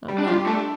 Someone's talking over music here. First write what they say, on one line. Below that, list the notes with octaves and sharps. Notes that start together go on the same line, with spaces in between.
I'm not
G3
D4
F4 G4
A3 D4